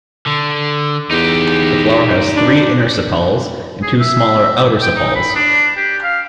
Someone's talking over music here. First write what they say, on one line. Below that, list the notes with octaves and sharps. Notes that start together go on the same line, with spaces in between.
The flower has three inner sepals and two smaller outer sepals.
D3
E2 D#4 G4
D4
G#4
E5
G5
D#4
B5
D4
G4
F5